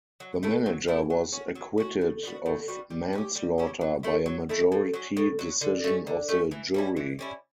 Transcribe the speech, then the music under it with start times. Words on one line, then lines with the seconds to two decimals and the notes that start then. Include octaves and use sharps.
The manager was acquitted of manslaughter by a majority decision of the jury.
0.20 F#3
0.43 A3 E4 A4
0.66 F#3
0.88 A3 E4 A4
1.10 F#3
1.32 C#4 F#4
1.55 F#3
1.78 C#4 F#4
2.01 A2
2.23 G3 B3 F#4
2.46 A2
2.68 G3 B3 F#4
2.91 G3
3.13 C#4 E4
3.18 G4
3.35 G3
3.58 C#4 E4 G4
3.81 F#3
4.03 A3 E4 A4
4.26 F#3
4.49 A3 E4 A4
4.72 A2
4.94 F#3 C#4
5.17 A2
5.39 F#3 C#4
5.61 D3
5.84 A3 C#4
6.07 D3
6.29 A3 C#4
6.51 E3
6.74 G3 C#4 E4
6.97 E3
7.19 G3 C#4 E4